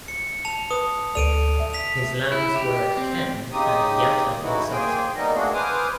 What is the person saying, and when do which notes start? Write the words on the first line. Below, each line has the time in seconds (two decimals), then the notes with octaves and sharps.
His lands were at Kenn and Yatton in Somerset.
0.08 C#7
0.45 A5 F7
0.71 B4 D#6
1.15 D2 A4 D5 D7 D#7 F7
1.60 E5
1.74 B6 F7
2.32 E4
2.56 G4
2.97 C4
3.52 C#3 C4 D#4 G4 D#6
4.43 C#3 E3 A3 D#4 E4 F#4
4.72 A#3 G#4 C5 G5 G#5
5.15 G3 A#3 B3 D#4 D#5
5.35 A3 A#3 C4 D4 F#4 G#4
5.54 B4 C5 G#5 D6 D#6 F6